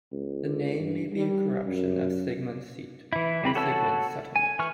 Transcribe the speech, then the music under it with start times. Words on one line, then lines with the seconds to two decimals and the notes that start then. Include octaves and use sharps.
The name may be a corruption of "Sigemund's seat" or "Sigemund's settlement".
0.12 C#2
0.80 G2
1.14 G3
1.67 F#2
3.13 E3 E4
3.44 G3 C4 B5
3.55 F#4 A4 C#5 A5 E6
4.36 G#5
4.59 E3 C#6 F6